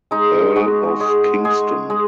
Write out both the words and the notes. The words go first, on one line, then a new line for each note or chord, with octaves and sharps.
Earl of Kingston.
G#3 D#4
G#3 F#4
G#3 G#4
G#3 G#4
G#3